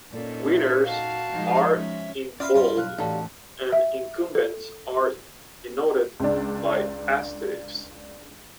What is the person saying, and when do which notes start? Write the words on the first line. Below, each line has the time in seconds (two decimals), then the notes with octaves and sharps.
Winners are in bold and incumbents are denoted by asterisks.
0.12 A#2 C#4 D#4 A4 D5
0.51 E5
0.84 F#4 F5 A5
1.30 F3 G#3 D#4
1.77 C#4 E5
2.40 C#4 F4 D5 E5 F5 B5
2.54 G2 F4
2.77 B1 F5 F6 F#6
2.98 A1 D#4 F#4 G4 A4 D5 F5
3.72 E5
4.35 A4
6.20 C#2 D4